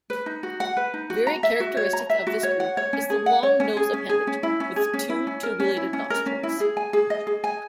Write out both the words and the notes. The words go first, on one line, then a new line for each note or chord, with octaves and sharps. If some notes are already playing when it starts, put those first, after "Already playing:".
Very characteristic of this group is the long nose appendage with two tubulated nostrils.
B4
D#4
F#4
F#5
B4
D#4
F#4
A#5
E5
F#4
C#5
A#5
E5
F#4
C#5
F#5
C#5
C#4
G#4
F#5
C#5
C#4
G#4
C#4
G#4
C#4
E4
C#4
G#4
C#4
E4
C#4
A#4
C#4
E4
C#4
A#4
C#4
E4
G#4
G#5
G#4
D#5
G#4
G#5